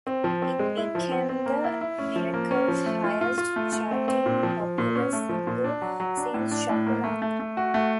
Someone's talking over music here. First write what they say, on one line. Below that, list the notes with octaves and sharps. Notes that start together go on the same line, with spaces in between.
It became the Miracles highest charting popular single since "Shop Around".
C4
F3
C4
G#3
E4
F3
C4
C4
A#3
E4
E4
C#4
F3
A#3
C#4
F3
A3
F4
F4
F4
A3
A3
C4
C4
A#2
F3
F3
A#2
C#4
A3
F3
A#2
D4
F#3
F#3
D4
A2
D4
A2
A#3
A3
A3
A3
F#4
A3